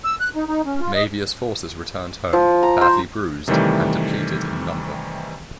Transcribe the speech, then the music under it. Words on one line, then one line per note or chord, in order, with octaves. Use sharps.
Mavia's forces returned home, badly bruised and depleted in number.
E6
F#6
D#4
D#4
C#4
F4
D#5
F3
A#5
C5
C3 D#3 E3 G3 A3